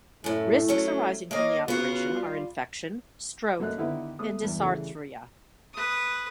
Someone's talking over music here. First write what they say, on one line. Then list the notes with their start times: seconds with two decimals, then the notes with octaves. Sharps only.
Risks arising from the operation are infection, stroke and dysarthria.
0.24 F#2 A2 A3
0.68 F#3 C#4
1.31 A#3 C#5 D#5 F5
1.68 C#3 F#3 B3 F4 F#4
2.10 G3 F4
3.60 F#2 A3 A#3 A#4 D#5 F#6
3.78 D3 D#3 B3 E4 G4 B4
4.19 A3 B3 B4 D#6
4.42 E2 G2
4.60 C#3 E3 G3 A3
5.74 B4 D#6